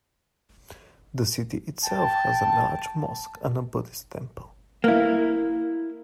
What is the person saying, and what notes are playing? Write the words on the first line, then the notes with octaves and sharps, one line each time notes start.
The city itself has a large mosque and a Buddhist temple.
G5 A5
A#3 E4